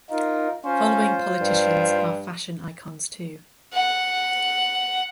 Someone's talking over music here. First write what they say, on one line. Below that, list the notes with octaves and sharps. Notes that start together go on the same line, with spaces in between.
Following politicians are fashion icons too.
D#4 F4 A#4
C#4 F4 C5
G2
F#5